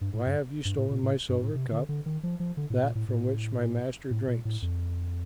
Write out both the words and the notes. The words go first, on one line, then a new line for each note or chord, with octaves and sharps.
Why have you stolen my silver cup, that from which my master drinks?
G2
A2
G2
G2
A2
A#2
A2
G2
A2
C3
D3
D3
D#3
F3
F3
D3
A2
A#2
A2
A2
A2
A#2
A2
F2